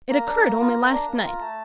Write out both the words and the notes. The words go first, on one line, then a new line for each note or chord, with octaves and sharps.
It occurred only last night.
A#3 A#5
D4
A#3
F4
A#3
D4
A#3
F4
A3 A5